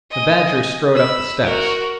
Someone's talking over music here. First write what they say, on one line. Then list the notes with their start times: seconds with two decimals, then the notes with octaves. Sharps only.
The Badger strode up the steps.
0.11 D#5 G#5
0.94 B5 E6
1.44 F#4 A#4